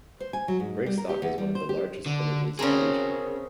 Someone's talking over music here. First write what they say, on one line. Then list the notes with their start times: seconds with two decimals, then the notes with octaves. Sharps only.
Brigstock is one of the largest villages in the region.
0.20 C5
0.33 G#5
0.48 F#3
0.60 G#2
0.86 G3
0.98 A#4
1.09 G4
1.22 E2
1.38 G3
1.55 C5
1.69 G4
2.06 D3
2.59 C#3 C4 G#4 A#4